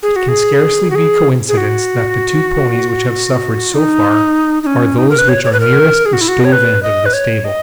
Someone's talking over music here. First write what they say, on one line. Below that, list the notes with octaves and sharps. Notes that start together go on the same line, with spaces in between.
It can scarcely be coincidence that the two ponies which have suffered so far are those which are nearest the stove end of the stable.
G#4
F#4
G#4
F#4
G#4
G#4
F#4
D#4
D#4
C#4
D#4
A#4
B4
C#5
C#5
B4
A#4
G#4
F#4
E4
F#4
C#5
B4
D#5
B4
C#5
D#5